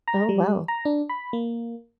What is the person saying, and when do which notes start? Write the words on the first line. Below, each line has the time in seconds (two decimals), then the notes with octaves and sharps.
Oh, wow.
0.08 A#5
0.29 G3
0.68 A#5
0.85 D4
1.09 B5
1.33 A#3